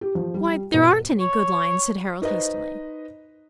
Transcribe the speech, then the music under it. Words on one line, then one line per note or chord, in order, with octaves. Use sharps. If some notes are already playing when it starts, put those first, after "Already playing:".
"Why, there aren't any good lions," said Harold, hastily.
G4
F3
G3
B2
C#5
D#4 B4 C5 D#5